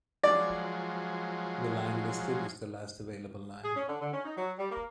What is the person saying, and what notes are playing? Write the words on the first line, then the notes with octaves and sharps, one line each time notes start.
The line listed is the last available line.
F3 F#3 G#3 D5
G#4
C#4
D3
D3
C#4
D#4
F#3
G3
A#3